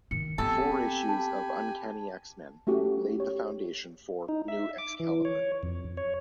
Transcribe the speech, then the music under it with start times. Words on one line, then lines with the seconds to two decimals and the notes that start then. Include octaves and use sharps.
Four issues of "Uncanny X-Men" laid the foundation for "New Excalibur".
0.11 D#3 C#7
0.38 B3 C4 G4 A4 G#5 B5
1.09 A5
2.67 A3 C#4 F#4 G4
3.18 G4 C#5
4.29 D#4
4.48 E5
4.78 D6
5.00 E3
5.25 C#5
5.63 F2
5.97 C#5